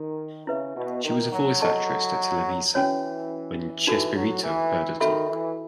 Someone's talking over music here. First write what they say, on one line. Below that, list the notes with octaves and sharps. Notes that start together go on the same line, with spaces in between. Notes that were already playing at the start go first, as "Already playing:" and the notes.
She was a voice actress at Televisa, when Chespirito heard her talk.
Already playing: D#3
C#3 E4 B4 E5
B2
D#3
F#3
E4 A4 D#5 A5 C#6
E3 C#4 F#4 C#5 G#5
E3 D#4 F#4 A4
F#3
E3
D#3 F#4 A4 E5 B5
E3